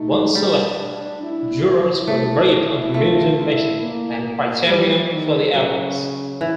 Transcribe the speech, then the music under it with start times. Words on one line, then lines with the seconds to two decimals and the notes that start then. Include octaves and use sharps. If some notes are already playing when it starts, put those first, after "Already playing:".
Once selected, jurors are briefed on the Museum mission and criteria for the Awards.
Already playing: A3 D#4
0.35 G3 D4
1.22 E4
1.64 E4
2.07 A3
2.94 A3 F4
3.38 E4
3.82 A#3
4.67 F3 G3
5.11 D#3
5.53 C#3 F#3
6.41 E3